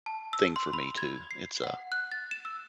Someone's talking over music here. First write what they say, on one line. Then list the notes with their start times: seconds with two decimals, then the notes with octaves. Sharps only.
thing for me, too. It's a
0.06 A5
0.33 E6
0.56 C6
0.73 B5
0.98 G#6
1.31 C7
1.64 F#5
1.92 F#6
2.12 A6
2.31 E7
2.45 E6